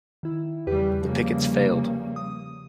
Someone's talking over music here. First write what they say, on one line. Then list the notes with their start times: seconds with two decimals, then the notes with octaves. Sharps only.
The pickets failed.
0.23 D#3 E4
0.67 E2 C#3 G3 G4 B4
1.02 C#3 F3 G3 A#3
2.16 D#6